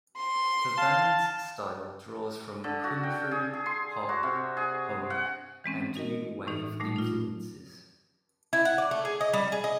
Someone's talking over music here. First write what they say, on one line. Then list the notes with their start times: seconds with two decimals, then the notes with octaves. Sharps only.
The band's style draws from country, pop, punk and new wave influences.
0.17 C6
0.78 F5 A5
2.64 D3
2.84 F#4
3.03 G5
3.31 G#4
3.53 G#4
3.66 C6
4.09 F#4
4.23 C3
4.57 G#4
5.10 F#5
5.64 E3 G#3 C4 C#4
5.95 D#4 F#4 A#4 D#5
6.47 A2 E3 D#4
6.80 A#2 G3 A3 D#4
6.96 D#4 F4
8.53 E4
8.65 F#5
8.78 D5
8.91 A3
9.05 G#4
9.21 D#5
9.33 G3
9.52 G#4
9.64 D#5